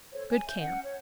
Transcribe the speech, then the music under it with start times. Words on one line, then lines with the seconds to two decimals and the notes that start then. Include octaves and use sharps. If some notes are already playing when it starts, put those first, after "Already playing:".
Good camp.
0.12 A4 C5 C#5
0.29 G#5
0.46 E5 G6
0.59 C#4 F#5
0.84 C#5